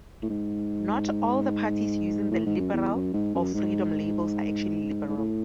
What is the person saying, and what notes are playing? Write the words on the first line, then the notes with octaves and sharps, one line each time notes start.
Not all the parties using the "Liberal" or "Freedom" labels are actually liberal.
A2
G#2
A2
G#2
F#2
E2
F#2
G#2
F#2
G#2
G#2
A2